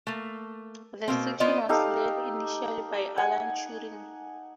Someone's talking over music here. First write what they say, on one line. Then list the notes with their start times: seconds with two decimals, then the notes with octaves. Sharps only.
The section was led initially by Alan Turing.
0.07 A3 A#3
1.08 B2 A#3 C4
1.40 B3 F4 C5 D5 D#5
1.69 D#4 G4 A4 F5
3.18 F#5 G#5